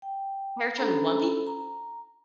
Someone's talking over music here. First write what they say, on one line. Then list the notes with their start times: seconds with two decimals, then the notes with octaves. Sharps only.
character in One Pi
0.02 G5
0.77 C#4 D4 A4 C5 A#5 B5
1.47 A#5